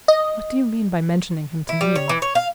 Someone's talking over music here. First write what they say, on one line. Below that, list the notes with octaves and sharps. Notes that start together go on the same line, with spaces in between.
"What do you mean by mentioning him to me?"
D#5
E4
G3
C#5
E3
C#5
F5